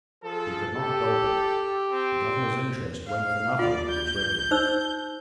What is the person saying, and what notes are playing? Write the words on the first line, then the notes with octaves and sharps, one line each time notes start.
He could not help it; the Governor's interest went for nothing in his reckoning.
F3 G#4 A4
G4 A4
C4
F5
F4 D5
G6
D#4 C5 E6